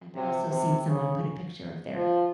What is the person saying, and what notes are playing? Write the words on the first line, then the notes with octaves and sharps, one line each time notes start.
I've also seen someone put a picture of their
C3
C3
C#3
F3